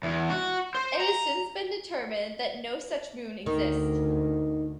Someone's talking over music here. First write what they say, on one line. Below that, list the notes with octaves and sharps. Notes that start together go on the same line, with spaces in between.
It has since been determined that no such moon exists.
E2
F#4
C5
A#5
D2 D#3